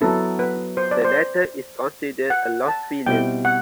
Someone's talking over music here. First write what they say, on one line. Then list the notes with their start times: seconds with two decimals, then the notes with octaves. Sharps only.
The latter is considered a lost film.
0.01 F#3 B3 E4 A4
0.39 B4
0.77 C5
0.91 D5
1.05 C5
2.30 F#5
2.68 A5
3.06 B2 G3 C4 E4 G5
3.45 F#5